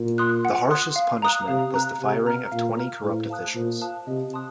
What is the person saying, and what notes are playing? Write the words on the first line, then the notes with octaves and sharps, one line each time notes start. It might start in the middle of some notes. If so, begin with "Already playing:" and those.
The harshest punishment was the firing of twenty corrupt officials.
Already playing: A#2
C6 D#6 F#6
F#5
C6 D#6 F#6
F5
A#5 D#6 F#6
C3 F5
A#5 D#6 F#6
C3 F5
A#5 F6
A#2 F5
A#5 F6
A2 C5
F5 A5 D#6 F#6
A#2 C5
F5 A5 D#6 F#6
C3 D#5
A5 C6 D#6 F#6